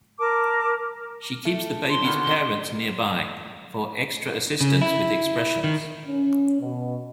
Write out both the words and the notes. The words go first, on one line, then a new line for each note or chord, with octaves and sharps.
She keeps the babies' parents nearby for extra assistance with expressions.
A#4 A5 D6
A3
C6
B2 D3 D#3
C6
C#3
E4
D#3
C#4
B2